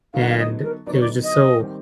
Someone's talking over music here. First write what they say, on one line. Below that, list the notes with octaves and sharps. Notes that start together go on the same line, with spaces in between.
and it was just so
D3 F#3 B3 D#4 F5
F#5
F5
D#5
A#4
D3 F#3 B3 D#4 D5
C#5
D5
D#5
D#3 G3 C4